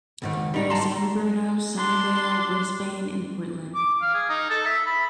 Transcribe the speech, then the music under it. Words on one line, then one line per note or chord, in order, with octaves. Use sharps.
They are San Bruno, Sunnyvale, Brisbane, and Portland.
C#2 G#2 D#3
G3 D#4
A5 A#5 C6
D4 C6
D6
F5
G#4
D#4
A4
E5
B5